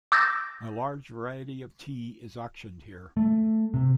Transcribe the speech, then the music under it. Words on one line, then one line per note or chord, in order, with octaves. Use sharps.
A large variety of tea is auctioned here.
D6 E6 G6 A6 A#6
A3
C3